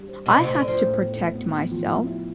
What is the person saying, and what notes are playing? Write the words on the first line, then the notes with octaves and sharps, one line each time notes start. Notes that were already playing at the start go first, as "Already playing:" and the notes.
I have to protect myself.
Already playing: G3 D4
C5
B2 D4
C3
A2
D3
D4
F3
A2
B3
A2
B3
B3
F3
E4
E4